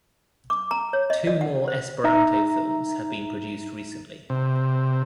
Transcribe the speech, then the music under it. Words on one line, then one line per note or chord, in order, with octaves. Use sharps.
Two more Esperanto films have been produced recently.
D6
A#5
C#5
D#5
D5
F#5
C5
D#4 E5 A#5
C3